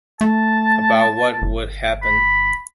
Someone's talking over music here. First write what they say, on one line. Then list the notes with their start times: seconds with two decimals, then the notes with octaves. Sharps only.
About what would happen.
0.21 A3 A5
1.42 G1
2.02 B5